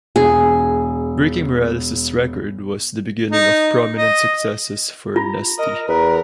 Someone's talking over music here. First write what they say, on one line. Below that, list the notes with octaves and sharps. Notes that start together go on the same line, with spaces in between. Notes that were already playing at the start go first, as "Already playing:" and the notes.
Breaking Morales's record was the beginning of prominent successes for Nesty.
E1 G#4
D#4
D#5
F4 A#5
A#4 D#5
E2 A#4 B4